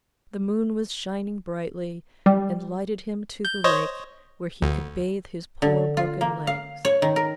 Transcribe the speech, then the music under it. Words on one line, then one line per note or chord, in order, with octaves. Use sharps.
The moon was shining brightly, and lighted him to the lake where he could bathe his poor broken legs.
G3
G6
C5 C#5 D#5
D2
D3
F4
A#3
F5
C#5
D#3
A#4